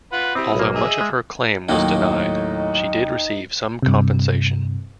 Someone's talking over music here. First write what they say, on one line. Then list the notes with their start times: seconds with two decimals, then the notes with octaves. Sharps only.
Although much of her claim was denied, she did receive some compensation.
0.13 F4 B4 F#5
0.35 C4 E4 G4 D#6
0.55 B1 A#3
0.75 G#4 D#5 E5
1.01 G#3
1.69 D#2 A2 D#3 F#3 A#3 D#4 C#5 D#5
3.82 G2 C3